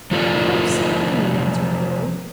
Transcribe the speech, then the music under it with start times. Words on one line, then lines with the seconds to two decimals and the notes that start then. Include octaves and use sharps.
'I hope so, indeed,' answered the boy.
0.11 F3 A3 F4 A4 A#4 D5